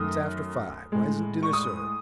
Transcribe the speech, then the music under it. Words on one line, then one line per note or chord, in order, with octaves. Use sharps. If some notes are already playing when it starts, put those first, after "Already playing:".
'It's after five; why isn't dinner served?'
Already playing: F#2 D#3 A3 D#6
A2 G#3
C#6
D#6